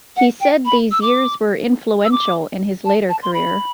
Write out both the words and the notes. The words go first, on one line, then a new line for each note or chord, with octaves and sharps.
He said these years were influential in his later career.
F#5
G5
B5
E6
D6
E6
D6
A5
A5
C6
B5